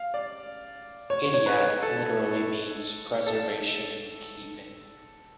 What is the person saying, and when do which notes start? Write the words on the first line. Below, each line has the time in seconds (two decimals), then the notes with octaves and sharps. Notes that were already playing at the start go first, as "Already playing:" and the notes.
Ihtiyat literally means preservation and keeping.
Already playing: F5
0.14 D5
1.10 C#5
1.34 C#5
1.46 B4
1.82 A4
3.26 A4